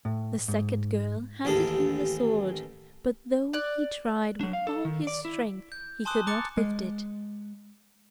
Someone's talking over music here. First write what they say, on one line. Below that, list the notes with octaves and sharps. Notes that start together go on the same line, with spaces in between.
The second girl handed him the sword, but though he tried with all his strength he could not lift it.
A2
G#2
A1 D#2 G#4 A4
D5 F#6
F#3 D4
F5
A4
D#3
D5
E4
G6
G#5 A5 C6 D6 D#6 F#6
A#5 D6 F#6 A6 C#7
G#3